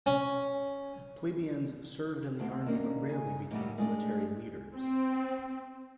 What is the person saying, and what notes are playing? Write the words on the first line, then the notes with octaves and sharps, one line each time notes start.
Plebeians served in the army, but rarely became military leaders.
C#4
D2
D#3 A#3 C#4 D4
C#3 G#5
D#2 A2 F#3 G3
G#3 A3 D4
C4